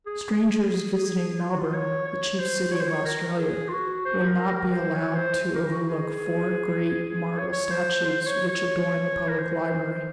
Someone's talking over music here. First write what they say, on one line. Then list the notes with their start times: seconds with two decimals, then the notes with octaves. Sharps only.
Strangers visiting Melbourne, the chief city of Australia, will not be allowed to overlook four great marble statues which adorn the public library.
0.06 G#4
1.40 F4
1.50 F#4
1.59 F4
1.74 C#5
2.07 C#5
2.40 C5
2.72 C#5
2.81 C5
2.89 C#5
3.05 A#4
3.39 G#4
3.69 F4
3.73 F#4
4.05 C5
4.27 A#4
4.50 A#4
4.72 C5
4.94 C#5
5.16 C5
5.55 A#4
5.71 F#4
5.89 G#4
7.38 C#5
7.53 C#5
7.71 C5
8.05 C5
8.21 C5
8.27 C#5
8.49 C#5
9.29 A#4
9.38 C5